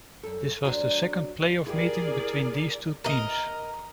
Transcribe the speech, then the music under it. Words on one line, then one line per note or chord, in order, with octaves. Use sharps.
This was the second playoff meeting between these two teams.
F#2 A4
F#3 D4 C5
E4 G4 G#4 A#4 D5
A#4 D#5